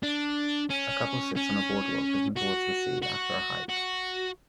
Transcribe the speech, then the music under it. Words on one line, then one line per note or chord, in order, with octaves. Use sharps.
A couple sits on a boardwalk looking towards the sea after a hike.
D4
C#4
C#4
F#4
F#4
F#4